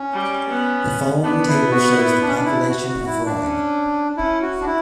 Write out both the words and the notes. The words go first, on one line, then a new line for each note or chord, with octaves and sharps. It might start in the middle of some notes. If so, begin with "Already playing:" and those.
The following table shows the population of Ribe.
Already playing: C#4
G3
B3
B3 D4
E4
F#4
E4
D4
C#4
D4
E4
F#4
F#4
E4
D4
C#4
C#4 E4
F#4
D4
E4